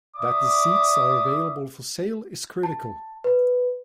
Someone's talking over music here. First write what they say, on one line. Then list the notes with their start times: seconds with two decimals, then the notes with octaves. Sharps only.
That the seats are available for sale is critical.
0.17 D5 E5 D6 D#6
2.63 A5
3.24 B4